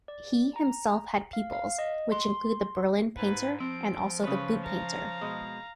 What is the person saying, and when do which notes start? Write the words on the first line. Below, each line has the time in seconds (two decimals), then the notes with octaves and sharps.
He himself had pupils, which include the Berlin Painter and also the Boot Painter.
0.08 D5
0.56 A#5
1.33 F5
1.53 F5
1.79 D#5
2.12 C6
3.17 G#2 B4
3.60 F3 C4 D7
4.23 C#3 B4 C#5
4.62 F5 A#5
5.21 B2 G#3